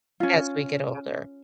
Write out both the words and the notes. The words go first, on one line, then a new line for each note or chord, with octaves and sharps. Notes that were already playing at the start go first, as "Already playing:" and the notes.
as we get older.
C#4 F4